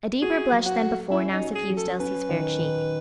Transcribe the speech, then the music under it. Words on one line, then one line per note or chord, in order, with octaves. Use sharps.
A deeper blush than before now suffused Elsie's fair cheek.
F#4 G#4
F#3
F#4
A4
C#4 E4
D#4
F#4
G#4
F#3
A4
C#4 B4
D#3
D#3